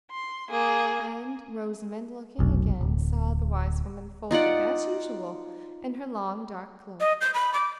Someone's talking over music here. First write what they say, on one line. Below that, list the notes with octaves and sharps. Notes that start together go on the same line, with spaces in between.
And Rosamond, looking again, saw the wise woman, folded as usual in her long dark cloak.
C6
A#3 G#4
F1 B1
D1
D#4 F4 D5 F#5
D#5
G6
B5
D6